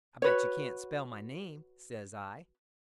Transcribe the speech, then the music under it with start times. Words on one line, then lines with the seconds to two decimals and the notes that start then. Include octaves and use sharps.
"I bet you can't spell my name," says I.
0.22 F#4 B4 C#5